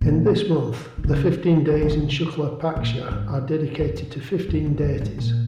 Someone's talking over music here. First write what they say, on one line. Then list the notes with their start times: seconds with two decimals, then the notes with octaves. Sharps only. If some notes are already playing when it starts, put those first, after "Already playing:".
In this month, the fifteen days in Shukla paksha are dedicated to fifteen deities.
0.01 A#2
0.98 D#3
1.04 C#3
1.74 D#3
1.82 F3
1.91 D#3
1.99 C#3
2.76 A#2
3.11 G#2
3.80 F2
4.49 F2
4.66 G#2
4.83 F2
5.01 G#2
5.18 A#2